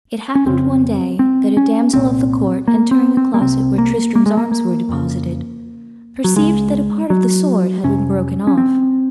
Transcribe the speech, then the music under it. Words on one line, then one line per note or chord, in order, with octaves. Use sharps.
It happened one day that a damsel of the court, entering the closet where Tristram's arms were deposited, perceived that a part of the sword had been broken off.
C#4
F2 C#3 C4
C4
C#4
C2 A#2 C4
A#3
C4
C4
A#3
C2 C3 C4
A#3
A#3
G#3
A#3
A#3
F2 C#3
F#3
C#2 C#3 G#3
F#3
F2 C3 C#4
C#4
C4